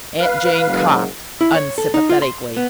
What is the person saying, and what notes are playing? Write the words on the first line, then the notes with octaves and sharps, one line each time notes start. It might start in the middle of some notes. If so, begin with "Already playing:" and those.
Aunt Jane coughed, unsympathetically.
B4 F5
F#1 G#2 F#3
E4
C#5
A4
D#4
F4
C6
B3